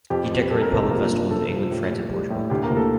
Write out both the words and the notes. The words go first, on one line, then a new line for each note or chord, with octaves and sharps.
He decorated public festivals in England, France, and Portugal.
F2 G4
F2
G3 A4
A#4
C3 A4
F3 A#3 A#4
G2
G2 A4
F3
A2
G3
G3
A2
D2 G4
A#3 A#4
D2
A4